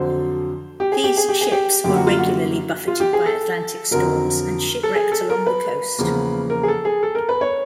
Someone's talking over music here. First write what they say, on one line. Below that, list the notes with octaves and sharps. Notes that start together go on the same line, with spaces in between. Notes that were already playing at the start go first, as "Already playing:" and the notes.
These ships were regularly buffeted by Atlantic storms and shipwrecked along the coast.
Already playing: F2 D3 F#3 C5
G4
G#4
G4
G#4
G4
G#4
G4
F#2 D3 G3 A#3 G4
F#4
F4
F#4
F4
G4
G#4
A4
F2 D3 F#3 A#4
A4
G#4
A4
A#4
B4
E2 C#3 F3 A#3
A#4
G#4
A4
G#4
A4
A#4
B4
C#5